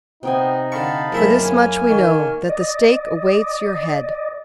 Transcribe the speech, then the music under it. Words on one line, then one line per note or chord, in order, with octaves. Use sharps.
For this much we know, that the stake awaits your head.
C3 B3 D#4 G5 G#5
D3 F5 A5 B5 C#6
F#2 G#3 A#3 E4 C5 E5
A#3 C#4 G#5 F6
D#3 C#6
D5 D#5